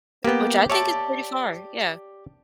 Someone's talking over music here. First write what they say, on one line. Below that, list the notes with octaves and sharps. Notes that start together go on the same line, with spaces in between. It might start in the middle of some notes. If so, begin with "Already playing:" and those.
which I think is pretty far. Yeah.
A#3 B3 G4 G5
G4 C#5 D5 E5 A5